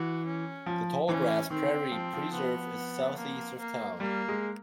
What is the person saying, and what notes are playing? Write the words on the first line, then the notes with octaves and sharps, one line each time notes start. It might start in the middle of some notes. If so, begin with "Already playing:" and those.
The Tallgrass Prairie Preserve is southeast of town.
Already playing: E3 F#4
C#4
F3
E3 C#4
D#3 C4
F3
F3
B3
A#3
A#3
G3 A#3
G#3